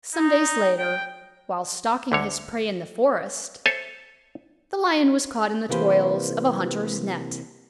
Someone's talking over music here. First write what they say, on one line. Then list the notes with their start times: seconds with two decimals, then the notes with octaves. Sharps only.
Some days later, while stalking his prey in the forest, the Lion was caught in the toils of a hunter's net.
0.15 D#4
0.78 G5
2.12 D2 D3 C#5
3.66 A4 C5 C#5 E5 G#5 A5
5.69 C3 E3 A#3 G4 B4 C5